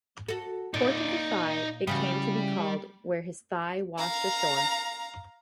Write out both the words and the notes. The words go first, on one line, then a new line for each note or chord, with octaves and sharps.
"Port of the Thigh" it came to be called where his thigh washed ashore.
F#4 A4
A#2 D#4 D5
C#3 E3 G3 F#4
F5 A#5